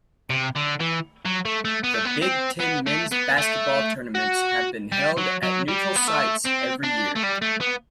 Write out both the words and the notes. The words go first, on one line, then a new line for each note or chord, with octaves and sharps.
The Big Ten Men's Basketball tournaments have been held at neutral sites every year.
C3
D3
E3
F#3
A3
A3
B3
A3
B3
C4
B3
A3
B3
A3
F#4
G3
F#3
F#3
G3
B3
A3
C4
D4
A3
G3
A3
B3